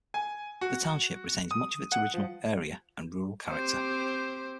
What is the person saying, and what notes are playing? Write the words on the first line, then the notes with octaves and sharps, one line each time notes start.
The township retains much of its original area and rural character.
G#5
F#4
D#6
F#5
F3
C4 G4 C5